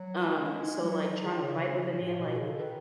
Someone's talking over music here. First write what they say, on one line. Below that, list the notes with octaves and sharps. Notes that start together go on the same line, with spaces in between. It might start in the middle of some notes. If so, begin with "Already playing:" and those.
um, so, like, tryna to fight with a man, like,
Already playing: F#3
G#3 E4
D#4
E4
F#3 E4
F#3 E4
D#3 G#4
C#3 C#5
A2
B2 F#4
C#3 G#4
A4
D#3 B4